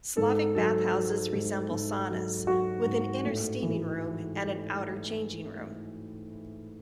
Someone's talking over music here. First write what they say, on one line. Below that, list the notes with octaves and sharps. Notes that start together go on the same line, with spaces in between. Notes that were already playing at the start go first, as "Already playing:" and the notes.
Slavic bathhouses resemble saunas, with an inner steaming room and an outer changing room.
G#2 A4
F#3 A4
F#3
G#2
G#2
F#3
F#3 F#4
G#2
A2
E3